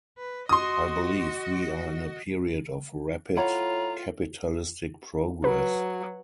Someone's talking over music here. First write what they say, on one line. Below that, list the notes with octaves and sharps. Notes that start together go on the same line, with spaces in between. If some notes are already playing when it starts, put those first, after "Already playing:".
I believe we are in a period of rapid capitalistic progress.
B4
F#4 D#5 C6 D#6
A2 F4 C#5 F#5 A#5 B5
F#3 B4